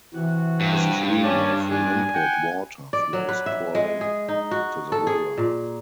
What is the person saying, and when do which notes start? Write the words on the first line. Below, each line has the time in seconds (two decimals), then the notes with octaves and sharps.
A stream of limpid water flows purling to the river.
0.14 C3 E3 F#4
0.60 G2
1.24 C#4 D5 A5
1.71 D4 G#5
2.14 F#5 G5
2.93 D5
3.13 F#3
3.29 B4
3.46 E5
3.75 G#3
4.01 G#4
4.28 D#4
4.51 F#4
4.92 A4
5.07 G#4
5.38 A#2